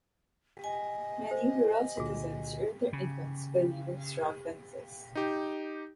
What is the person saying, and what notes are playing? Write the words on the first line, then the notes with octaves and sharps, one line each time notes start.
Many rural citizens earn their incomes by weaving straw fences.
D#5 G#5
C5
C#2 A#2 D3 F#4 G#4
C#3
D#4 G4